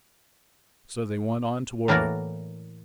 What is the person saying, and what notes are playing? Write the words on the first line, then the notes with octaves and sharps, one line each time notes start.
So they went on toward it.
A2 E3 A#3 F#4 A#4 D5